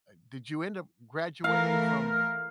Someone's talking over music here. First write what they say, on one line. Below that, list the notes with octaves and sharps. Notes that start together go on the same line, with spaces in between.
uh, did you end up graduating from
E3 A3 A#4 F5